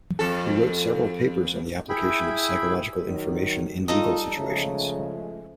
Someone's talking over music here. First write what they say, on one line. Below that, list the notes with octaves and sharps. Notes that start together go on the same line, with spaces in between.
He wrote several papers on the application of psychological information in legal situations.
F2 A4
E4 G#4 E5 G5 B5
D#3 F#3
G3 D#4 F4 A4 D#5
C#3 F3 G#3 A3